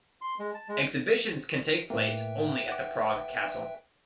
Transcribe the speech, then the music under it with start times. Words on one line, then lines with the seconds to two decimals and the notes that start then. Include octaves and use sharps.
Exhibitions can take place only at the Prague Castle.
0.21 C6
0.39 G#3
0.54 A5
0.68 G#3
1.90 A2 A#3 B4 E5 G5
2.68 F#5 D6